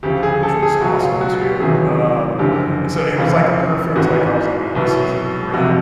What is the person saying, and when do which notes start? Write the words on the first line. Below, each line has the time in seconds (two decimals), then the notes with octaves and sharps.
which was awesome too, um, and, so, it was, like, a perfect like, I was like, "Oh, this is a great,
0.03 D2 C#3 F3 G4
0.23 G#4
0.43 A4
0.63 G#4
0.82 C#2 B2 F#3 F#4
1.01 F4
1.21 F#4
1.41 G4
1.60 E2 C3 D#3 F#3 G#4
2.39 F#1 F#2 D3 F3 G4
3.17 F1 E2 C#3 F3
3.96 G#1 G#2 E3 F#4
4.75 C2 B2 F#3
5.54 F1 F2 C3 F#4